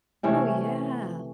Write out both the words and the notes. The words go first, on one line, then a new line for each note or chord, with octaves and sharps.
Oh, yeah.
C3 E3 A3 C#4